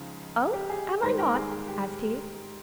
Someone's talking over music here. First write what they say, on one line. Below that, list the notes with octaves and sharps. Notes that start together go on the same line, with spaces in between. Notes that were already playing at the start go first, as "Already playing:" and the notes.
'Oh, am I not?' asked he.
Already playing: C#2 C#3 F3 D#4
G4
G#4
G#2 D#3 G3 C5
A#4
G#4
G#4
G4